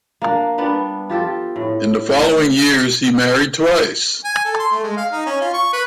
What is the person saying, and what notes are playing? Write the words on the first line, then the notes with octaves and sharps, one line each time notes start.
In the following years he married twice.
A#3 D4
G3 B3 D4
F4 G4 A4 G5
A2
G#5
A4
C6
A3
G#3
F5
D#4
C#4
F4
C#6
B4